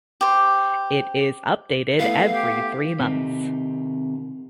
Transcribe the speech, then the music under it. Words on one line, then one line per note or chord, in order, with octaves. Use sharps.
It is updated every three months.
G4 C5
A3 B3 E4 F5
G4
C3 D#3